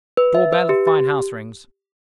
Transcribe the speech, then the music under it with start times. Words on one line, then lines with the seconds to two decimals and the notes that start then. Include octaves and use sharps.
Door-bell of fine house rings.
0.17 B4
0.35 E5
0.53 B4
0.69 G4
0.87 G4